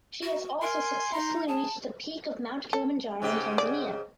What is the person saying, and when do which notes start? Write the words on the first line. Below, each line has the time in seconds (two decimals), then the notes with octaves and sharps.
She has also successfully reached the peak of Mount Kilimanjaro in Tanzania.
0.22 F#4
0.61 A#4 G#5 C6
1.14 D#4 A#5
1.48 G#4 A5
2.73 A4
3.22 G#2 C#3 G4
3.58 D5